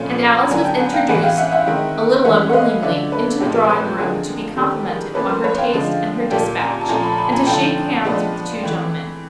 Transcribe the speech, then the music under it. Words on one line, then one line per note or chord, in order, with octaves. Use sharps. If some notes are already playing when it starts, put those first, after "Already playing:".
And Alice was introduced a little unwillingly into the drawing room to be complimented on her taste and her despatch, and to shake hands with the two gentlemen.
Already playing: A#2 F3 A3 C#4 B5
B5
D3 F#3 B3 D4 G#5 A#5
G5 A5
F#5 G#5
F5 G5
A2 E3 G#3 B3 F#5 G#5
F5 G5
E5 F#5
E5 F#5
D#3 G#3 C4
E3 G#3 C#4 E5 F#5
F#5
D#5 F5
D3 F#3 A3 D5 E5
A4 B4
A#2 F3 G#3 C4 G4 A4
C5
A4 B4
D3 F3 G#3 C4 G#4 A#4
D#3 G3 B3 G4 A4
G#4 A#4
F3 A#3 C#4 A4 B4
A#4 C5
B4 C#5
F5 G5
D3 F3 G#3
A#2 G3 A#3 G5 A5
G#5 A#5
A5
A#2 F3 A3 G#5 A#5
A5 B5
A5 B5
G#5 A#5
D3 F3 A3 C4 G5 A5
F3 G#3 B3 D4
E3 A3 C4